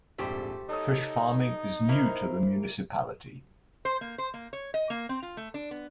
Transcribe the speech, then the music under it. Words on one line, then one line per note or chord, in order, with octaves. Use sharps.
Fish farming is new to the municipality.
A#1 F2 G#2 A3 G4 C5
D#4 A4 C#5 D#6
A#3 E4 A#4 C5
C5
A#3
C5
A#3
C#5
D#5
A#3
C4
F4
A3
D4
B3